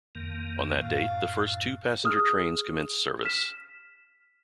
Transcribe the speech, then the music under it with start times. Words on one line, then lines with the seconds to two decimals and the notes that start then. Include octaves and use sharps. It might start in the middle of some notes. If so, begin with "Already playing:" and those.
On that date, the first two-passenger trains commenced service.
0.15 F2 D#3 A#3
0.80 F#2 A2 F5
2.04 G#4 D#6 F6
3.25 F6 B6 E7